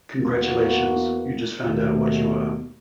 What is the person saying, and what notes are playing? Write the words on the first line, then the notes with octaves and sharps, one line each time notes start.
Congratulations, you just found out what you are.
E2 A#3 B3 F#4
D#2 B2 A3